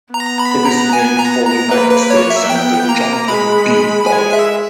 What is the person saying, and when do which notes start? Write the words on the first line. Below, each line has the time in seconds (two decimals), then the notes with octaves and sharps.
It is named for United States Senator Jonathan P. Dolliver.
0.14 B3 A#5
0.39 B5
0.65 A#5
0.93 G#5
1.19 A#5
1.45 A#5
1.70 A#3 B4
1.91 B4
2.10 A#3 C#5
2.30 E5
2.49 B3 G5
2.88 A#3 A#5
3.28 G#3 B5
4.06 G#3 G#5
4.33 E5